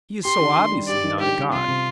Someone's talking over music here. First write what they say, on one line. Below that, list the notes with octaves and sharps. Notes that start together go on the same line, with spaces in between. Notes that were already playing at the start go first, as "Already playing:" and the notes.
He is so obviously not a god.
G4 C6
D#3
D4
G3
G4 D5
D#3
D4 G4
G3
C3 F4
C3